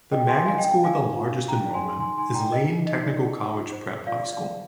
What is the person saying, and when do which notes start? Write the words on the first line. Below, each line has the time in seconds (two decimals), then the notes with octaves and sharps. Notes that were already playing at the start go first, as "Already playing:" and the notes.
The magnet school with the largest enrollment is Lane Technical College Prep High School.
0.11 D5 D#5 G5
0.28 G#4 G#5 C6
0.45 F4 F5 G#5
0.58 D4 D#5 G5
0.80 D5 F5 G#5
0.97 G#4
1.15 F4
1.32 D4
1.48 D#4 G5 A#5
1.65 D5
1.74 G#5 C6
1.83 G#4
2.00 D#4 G#5 C6
2.17 D#4 G#5 C6
2.34 D5 G5 A#5
2.52 G#4 D#5
2.69 D#4
2.87 D#4 D#5
3.03 D5
3.21 G#4
3.38 D#4
3.56 F4
3.72 C5
3.90 G#4
4.06 F4 D5 F5
4.23 F4
4.33 D5 F5
4.41 C5